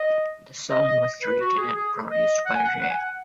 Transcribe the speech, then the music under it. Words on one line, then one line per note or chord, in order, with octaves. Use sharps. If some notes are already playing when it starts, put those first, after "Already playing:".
The song was written and produced by Rea.
Already playing: D#5
D#5
D#5
B4
F#4
G#4
G#4
D#5
F#5
G#5
F#5
F#5
G#5
F#5